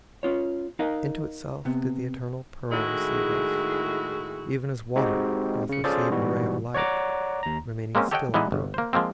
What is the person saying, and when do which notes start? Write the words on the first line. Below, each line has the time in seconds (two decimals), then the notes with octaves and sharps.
Into itself did the eternal pearl Receive us, even as water doth receive A ray of light, remaining still unbroken.
0.23 C#4 F4 C#5
0.79 D#4 A#4 D#5 F5
1.65 C3 B3
2.71 A2 D#3 G#3 E4 F#4 G#4
4.96 G#3 C4 D#4 F#4 G4
5.69 C#3 C#7
5.84 C#4 F4 G#4 A4 C5 D5
6.10 G#2 B2 E3 G3 F#4
6.75 C#5 D5 F#5 A#5 D6
7.43 D#2 A#5
7.95 G#3 A#3 C4 C#4
8.11 G4 A4 C#5 D#5 F#5 G5
8.34 E3 G3 G#3 B3 D#4 E4
8.52 G1
8.74 A#3 C5
8.93 F3 G#3 A#3 C4